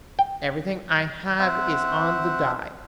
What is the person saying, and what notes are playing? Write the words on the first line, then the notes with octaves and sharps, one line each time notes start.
Everything I have is on the die.
G5
C4 E5 F#5